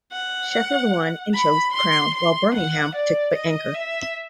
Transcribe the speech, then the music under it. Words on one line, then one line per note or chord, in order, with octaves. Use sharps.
Sheffield won and chose the crown, while Birmingham took the anchor.
F#5
B5
C6
C6
F#5
D5
D#5
E5